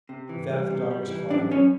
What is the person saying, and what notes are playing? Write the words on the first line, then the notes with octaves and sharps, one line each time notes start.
With that the dog was quieted.
C3
E3
G3
C3
G3
E3
F#2 D4 D5
F#2 C#4 C#5